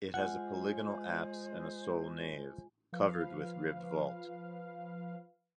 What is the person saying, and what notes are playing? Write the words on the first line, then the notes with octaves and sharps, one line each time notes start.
It has a polygonal apse and a sole nave, covered with ribbed vault.
G#3 F4 C5 F#5 G#5
F3 B4 F5